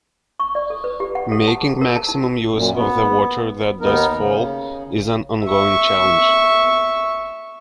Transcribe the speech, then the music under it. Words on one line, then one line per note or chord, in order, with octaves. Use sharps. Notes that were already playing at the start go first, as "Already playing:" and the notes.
Making maximum use of the water that does fall is an ongoing challenge.
C#6
D5
A4
B4
G4
F#5
A4
A5
G#4
A#4
A5
D#4
F#2 A#2
B3
D#2 B3 D#4 A#4
C#3
E5 C#6